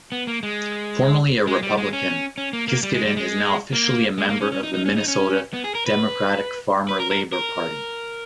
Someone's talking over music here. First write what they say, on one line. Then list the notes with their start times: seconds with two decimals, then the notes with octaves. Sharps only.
Formerly a Republican, Kiscaden is now officially a member of the Minnesota Democratic-Farmer-Labor Party.
0.12 B3
0.27 A#3
0.43 G#3
1.47 G#3
1.63 G3
1.77 G#3
1.93 C#4
2.38 C#4
2.53 A#3
2.68 A#3
2.83 G3
2.94 G#3
3.05 G3
3.17 G#3
3.73 A#3
4.18 G#3
4.29 A#3
4.41 C#4
4.52 C#4
4.63 D#4
4.74 D#4
4.86 C#4
4.97 D#4
5.08 C#4
5.53 B3
5.64 G#4
5.75 A#4
5.86 B4
6.89 B4
7.00 A#4
7.11 A#4
7.33 A#4